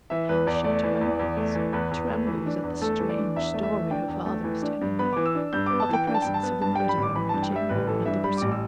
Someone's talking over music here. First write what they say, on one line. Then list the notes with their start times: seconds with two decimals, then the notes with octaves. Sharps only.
How she trembles!--Trembles at the strange story her father is telling her, of the presence of the murderer in her chamber, and of the pursuit.
0.10 E3 E5
0.29 E2 B4
0.47 E2 D5
0.64 A3 D5
0.83 E3
1.01 E2
1.19 E2
1.37 A3
1.55 E3
1.73 E2 B4
1.91 E2
2.10 A3
2.27 E3
2.46 D4
2.63 E2
2.82 A3 A4
2.99 E3
3.09 D5
3.18 D4
3.36 E2 E5
3.54 A3
3.63 E5
3.72 E3
3.91 D4 G5
4.08 E2
4.26 A3
4.44 E3
4.62 D4
4.81 G2
4.99 B3 B5
5.13 E3 D6
5.26 E6
5.35 D4
5.53 G2 G6
5.66 B3 D6
5.80 A5
5.89 E3 G5
6.07 D4 G5
6.14 A5
6.22 G2 G5
6.34 A5
6.43 B3
6.61 G2 A5
6.75 G3 G5
6.89 B5
6.98 A1 D6
7.16 E3 B5
7.29 G2 A5
7.43 G5
7.52 G3 E5
7.69 A1 B4
7.87 E3 A4
8.05 G2 E5
8.24 G3 B5
8.37 A1 D6
8.52 E6